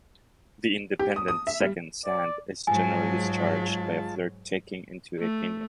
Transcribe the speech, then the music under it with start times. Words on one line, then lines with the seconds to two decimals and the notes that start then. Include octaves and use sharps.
The independent seconds hand is generally discharged by a flirt taking into a pinion.
0.99 G4
1.16 D#6
1.28 D#6
1.47 E5
1.60 G3
2.05 D5
2.67 G#2 F#3 G#3 F4 G#5 A5
5.19 A3